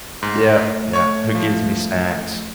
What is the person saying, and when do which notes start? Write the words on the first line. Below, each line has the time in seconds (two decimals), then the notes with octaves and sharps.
Yep. Yep. "Who gives me snacks,"
0.23 G#2 A3
0.93 C#5 C#6
1.35 F3